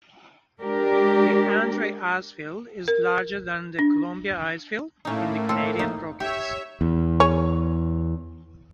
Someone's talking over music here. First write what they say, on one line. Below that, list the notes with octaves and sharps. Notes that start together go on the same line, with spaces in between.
The Andrei Icefield is larger than the Columbia Icefield in the Canadian Rockies.
G#3 D4 G4 A#4
A#4
D4
A2 A3 A#3 C#4 D#4
C4 F4 A4
D#4
G4 C#5 E5
E2
G#4 C#5